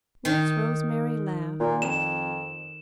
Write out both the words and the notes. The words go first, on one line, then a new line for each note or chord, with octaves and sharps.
Nurse Rosemary laughed.
D#3
A#2
F2 E7